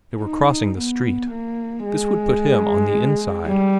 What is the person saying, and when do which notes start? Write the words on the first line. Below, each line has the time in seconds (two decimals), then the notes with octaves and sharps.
They were crossing the street. This would put him on the inside.
0.22 D#4
0.78 B3
1.31 A#3
1.86 G#3
3.47 G3